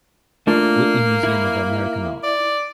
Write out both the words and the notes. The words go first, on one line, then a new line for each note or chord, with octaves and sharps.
Whitney Museum of American Art.
A3 A#3 D4 F4
E4
D5